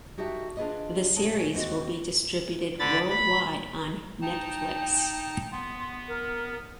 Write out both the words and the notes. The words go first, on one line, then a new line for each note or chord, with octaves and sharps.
The series will be distributed worldwide on Netflix.
D#4 F#4 G4 A4 D5 E5
D4 F4 F#4 G#4 B4 D#5
A#2 G#3 A4 C#5 G#5 A5
D#2 C4 F#4 D#5
D3 B5 A6
B5
D#4 G5 A5
B3 C6
A#4